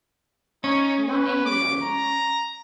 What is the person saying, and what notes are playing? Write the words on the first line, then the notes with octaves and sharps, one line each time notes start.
You're not angry, are you?
C#4 D#4
B4
D6
A#5